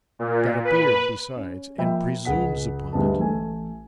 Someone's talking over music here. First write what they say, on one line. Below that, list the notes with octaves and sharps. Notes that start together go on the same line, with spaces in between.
Got a beard besides, and presumes upon it.
A#2
B4
C#4
F3 A#3 E5 G5 B5
C#2 G#4 F#5 B6
D2 G2 C#3 G#3 B4 A5
A1 A3 G#5